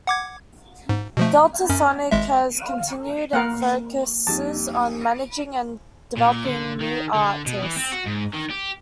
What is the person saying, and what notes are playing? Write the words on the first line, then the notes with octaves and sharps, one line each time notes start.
Deltasonic has continued and focuses on managing and developing new artists.
F#5 D6 G#6
G#2
B2 F3 A3
F#2 C#4
G#1 G#3 E5
A#3 A#4 F5 F#5
F2 G3 D#4 A5
A#2
D3
D#3
D3
B2
E3
C4
F#4
G#2
D#3
G4